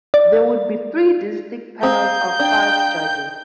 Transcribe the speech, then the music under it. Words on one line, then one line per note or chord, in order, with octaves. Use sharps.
There would be three distinct panels of five judges.
D5
C4 F5 A#5 D#6 G6
D4 G5